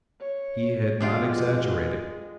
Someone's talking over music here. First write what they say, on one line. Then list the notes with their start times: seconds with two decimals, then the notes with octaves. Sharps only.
He had not exaggerated.
0.21 C#5
1.00 F2 B2 G#3 D4 F4 G4